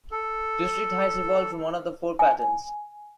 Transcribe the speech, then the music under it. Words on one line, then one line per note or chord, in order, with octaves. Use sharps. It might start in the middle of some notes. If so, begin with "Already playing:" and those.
District Heights evolved from one of the four patents.
A4
G#5